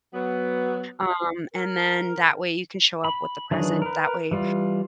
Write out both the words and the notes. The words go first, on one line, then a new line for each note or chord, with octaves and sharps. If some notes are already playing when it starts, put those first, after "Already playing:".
Um, and then that way, you can show up with the present. That way,
F#3 B3
A#4
B5
D#3 E3 F#3 D4 G#4
A#4 B4
E3 G3 F4